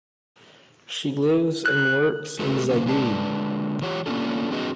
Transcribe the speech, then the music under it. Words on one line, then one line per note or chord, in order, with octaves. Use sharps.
She lives and works in Zagreb.
F#6
G#3 A3 F#4 G#4 A4 B4
D3 A#3 C#4
D3 G#3 B4 D5 G#5 A5
E3 F4 G4 C#5 F#5
A#3 B3 C#4 D4 F4 A4
C4 D4 F#4 G#4 B4 D#5